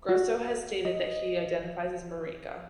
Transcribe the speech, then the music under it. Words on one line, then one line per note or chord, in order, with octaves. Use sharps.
Grosso has stated that he identifies as "marica".
F#4
D#5